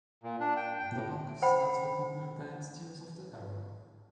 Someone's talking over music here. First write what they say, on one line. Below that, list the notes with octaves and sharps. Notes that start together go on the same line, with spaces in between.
The bulk of sides were popular dance tunes of the era.
A#2
D4
G5
G5
A2
C5 F#5 G5 B5